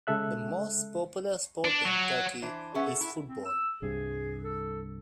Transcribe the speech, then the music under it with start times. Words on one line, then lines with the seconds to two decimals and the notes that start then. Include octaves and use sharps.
The most popular sport in Turkey is football.
0.07 C#3 G#3 A4 E5 F#6
1.65 D4
1.85 F#3
2.42 E3 D4 C5
2.74 B3 C#4 G4 G#4 E5 F#5
2.86 A4
3.01 E4
3.26 C4
3.45 E6
3.82 C2 G2 C3 G#4
4.44 A4